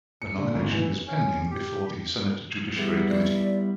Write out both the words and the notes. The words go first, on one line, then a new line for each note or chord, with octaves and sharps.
Her nomination is pending before the Senate Judiciary Committee.
C#7
D3
G#1
E3
C#4
G4
G3 B3 E4 G#4
D5